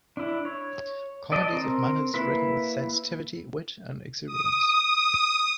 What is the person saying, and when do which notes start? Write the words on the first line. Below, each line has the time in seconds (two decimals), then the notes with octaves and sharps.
Comedies of manners written with sensitivity, wit, and exuberance.
0.17 D4 E4
0.45 C#5
1.32 D5 D#5 A5
1.53 C4 A#4
2.14 A#3 E4 B4
4.26 D#6
4.71 D#6